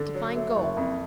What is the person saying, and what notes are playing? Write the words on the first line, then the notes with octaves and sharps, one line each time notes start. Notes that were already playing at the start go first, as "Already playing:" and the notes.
To find gold.
Already playing: D3
F#3
A3
F#1
F2